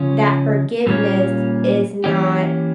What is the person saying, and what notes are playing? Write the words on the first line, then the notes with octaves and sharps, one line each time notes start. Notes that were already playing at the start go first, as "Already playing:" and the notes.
that forgiveness is not
Already playing: C#3 F3 C#4
A#2 G3 A#3 C#4
E3 A#3 C#4 G4